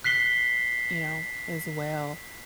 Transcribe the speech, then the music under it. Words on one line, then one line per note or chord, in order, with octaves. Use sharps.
you know, as well,
F#6 B6 C7 G7